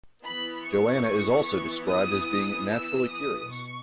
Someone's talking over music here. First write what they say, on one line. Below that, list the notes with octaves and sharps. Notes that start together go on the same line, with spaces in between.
Joanna is also described as being naturally curious.
E3 B3 E4 B5
C#6
D#6
E6
D#6
B2 C#6